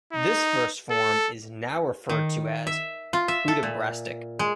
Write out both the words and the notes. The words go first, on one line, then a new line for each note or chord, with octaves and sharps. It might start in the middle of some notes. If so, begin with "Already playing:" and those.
This verse form is now referred to as "Hudibrastic".
D#4
A4
D#3
E5
F4
E5
A4
A#2
G#3